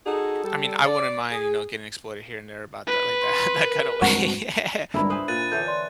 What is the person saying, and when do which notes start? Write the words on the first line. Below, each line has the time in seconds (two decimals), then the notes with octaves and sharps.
I mean, I wouldn't mind, you know, getting exploited here and there about that, like that in that kind of way.
0.06 D#4 F#4 G#4 A4
0.44 G3 A4
0.84 D5
1.30 G#4
2.87 B4
3.21 C6
3.63 A#4
4.02 G2 G#3 C4 F#4
4.94 G#1 C#2 G2 D4 E4 A#4 B5
5.10 B4 C5 G#5 D#6
5.28 A#2 F#6 A6 D#7
5.52 D3 E3 C#5 G6
5.67 D5 C6